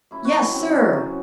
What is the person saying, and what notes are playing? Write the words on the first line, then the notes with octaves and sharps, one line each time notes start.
"Yes, sir."
F#2 E4
F#4
F#3 E4
F#2 C4
F#3
F#2